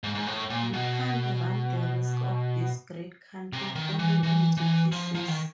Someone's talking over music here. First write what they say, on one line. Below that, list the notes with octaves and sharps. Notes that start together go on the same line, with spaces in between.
We can't run the risk of this great country falling into pieces.
G#2
G#2
A2
A#2
B2
C3
D#3
E3
E3
E3
F3
F3
D#3